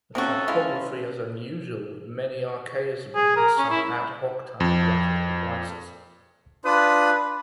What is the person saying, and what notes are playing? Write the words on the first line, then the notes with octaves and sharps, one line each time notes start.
The typography is unusual, with many archaisms and some ad hoc typographic devices.
C3 F3 C4 C#4 F#4 A4
G#3 E4 F4
G#4
A#4
C#4
E4
F2
D4 F4 B4 D#6